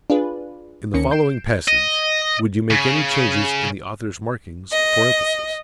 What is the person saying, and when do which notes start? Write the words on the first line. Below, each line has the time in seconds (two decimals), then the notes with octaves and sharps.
In the following passage, would you make any changes in the author's markings for emphasis?
0.10 D4 F4 G#4 B4
0.94 D2 D#3 A#3 C#4 C#7
1.11 G6 C7 D7 E7
1.68 D#5
2.71 C#3
4.72 D#5